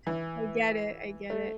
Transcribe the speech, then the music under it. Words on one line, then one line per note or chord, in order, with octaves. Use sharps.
I get it, I get it,
E3
A3